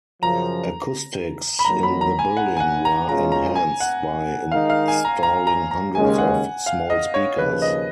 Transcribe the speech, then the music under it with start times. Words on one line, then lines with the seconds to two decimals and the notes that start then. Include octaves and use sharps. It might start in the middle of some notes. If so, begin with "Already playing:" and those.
Acoustics in the building were enhanced by installing hundreds of small speakers.
0.22 F#2 C#3 F3 A#5
1.59 B5
1.65 F2 D#3 F#3 A#3 A#5
1.83 B5
2.01 A#5
2.19 G#5
2.37 F#5
2.57 G#5
2.60 F#5
2.85 A#5
3.08 B2 G#3 C#4 F4 G#4 A#5
3.32 A#5
3.55 G#5
3.80 F#5
4.51 D#3 G#3 D#4 F5
4.70 F5
4.88 G#5
5.05 A#5
5.23 A#5
5.47 A#5
5.71 A#5
5.95 D#2 C#3 G#3 C#4 G#5
6.18 F#5
6.66 F5
6.90 D#5
7.14 C#5
7.38 D#2 C#3 F3 B4
7.62 D#5